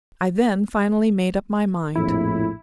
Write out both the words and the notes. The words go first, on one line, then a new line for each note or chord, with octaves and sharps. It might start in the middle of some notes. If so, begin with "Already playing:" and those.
I then finally made up my mind.
A#1 F2 A2 E4